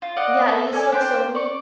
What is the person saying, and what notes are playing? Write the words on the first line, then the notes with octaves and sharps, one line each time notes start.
Yeah, it has, like, so many
F4
D5 D#5 F5 F#5
A4
C#4 A4 D5 G#5
D4 G4 C5 G5
D5 C#6